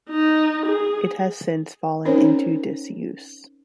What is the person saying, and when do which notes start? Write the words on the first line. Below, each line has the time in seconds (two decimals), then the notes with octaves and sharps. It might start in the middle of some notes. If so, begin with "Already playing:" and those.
It has since fallen into disuse.
0.10 D#4
0.66 G#4
2.05 C4 C#4 D#4 A#4 C5 C#5